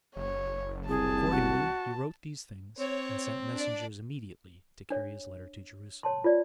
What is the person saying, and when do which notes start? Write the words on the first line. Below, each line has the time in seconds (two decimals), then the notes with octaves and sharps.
Accordingly, he wrote these things, and sent messengers immediately to carry his letter to Jerusalem.
0.16 F#1 C#5
0.89 C2 G#4 A5
1.31 F#4
2.78 C4 C#5
3.52 D4 D5
4.90 D4 C#5
6.03 C#5 A5 C6
6.24 F4 C#5 D5